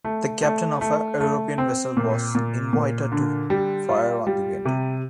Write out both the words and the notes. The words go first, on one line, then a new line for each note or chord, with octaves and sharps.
The captain of a European vessel was invited to fire on the wind.
A3
A3
A3
A3
C4
A#2
A#2
A#2
D3
G3
F4
G3
C3